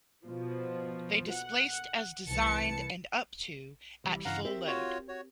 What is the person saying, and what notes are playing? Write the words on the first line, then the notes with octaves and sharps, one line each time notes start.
They displaced as designed and up to at full load.
B2 F3
F#5
C2 E3 A5 C#7
C2 E3 G3
G2 C#3 E3 F5 F#5 A#5
C4 G4 A#4 E5
F4 F#4 C#5
F#4 C#5